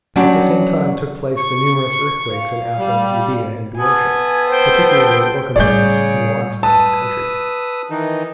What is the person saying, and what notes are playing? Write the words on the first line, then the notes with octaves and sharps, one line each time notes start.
At the same time took place the numerous earthquakes in Athens, Euboea, and Boeotia, particularly at Orchomenus in the last-named country.
F#3 G3 C#4 D4 F#4 G4
C#6
F5
G3
B3 A4 G#5
C5 G5
A2 C#3 G3 G#4 C#5 D5 G6
B4 A5 D#6 E6
D#3 E3 D#4